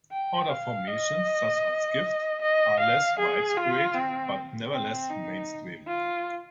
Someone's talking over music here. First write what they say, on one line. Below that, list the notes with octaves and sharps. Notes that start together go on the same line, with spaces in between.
Other formations, such as "gift", are less widespread but nevertheless mainstream.
G5
F5
D#5
D#5
F5
G#4
F4
C4
C4
D#4
F4